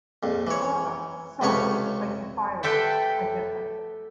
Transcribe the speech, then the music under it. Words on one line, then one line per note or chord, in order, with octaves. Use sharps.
However, some - like Zefiris - are different.
A#1 F2
E3 C#5
C#2 C3 A3 B4 C#5 C#6
A3 G4 A4 B4 G5